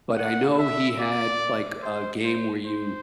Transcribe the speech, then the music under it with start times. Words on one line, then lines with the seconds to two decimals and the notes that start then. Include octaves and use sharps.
but I know he had, like, a game where you
0.17 F#5
0.59 E5
1.01 D5
1.83 C5
2.24 C5
2.65 C5